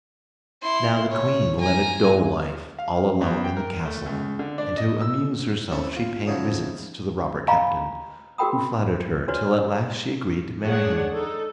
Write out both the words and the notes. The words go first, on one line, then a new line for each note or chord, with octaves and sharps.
Now the queen led a dull life all alone in the castle, and to amuse herself she paid visits to the robber captain, who flattered her till at last she agreed to marry him.
E4 C6
C#5
G#5 A#5
F5
E2
G5
A#4
A3
C#2
D3
D4
D#5
E6
C4 C#4 E4 A4 E5
F4
G#2 C#3 F3 F#3 E4
D#5 F5 G#5 A#5 B5 C#6
F#4 G#4 A#4 G5 B5 D#6
D4 F#4 B4 C#5 D5
G#3 D4 G#4 C#5 F#5
D#4 A4